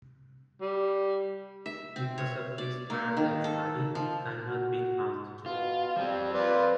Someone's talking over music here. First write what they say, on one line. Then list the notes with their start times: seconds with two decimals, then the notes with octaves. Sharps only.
Because of this Paradise Valley can not be found today.
0.61 G3
1.66 E5
1.96 C4
2.18 C#5
2.58 D5
2.90 A#3
3.17 D#3
3.44 A4
3.95 F3
4.47 F#4
5.46 B2 F4
5.96 F3 G3 C4
6.34 F4 B4 D5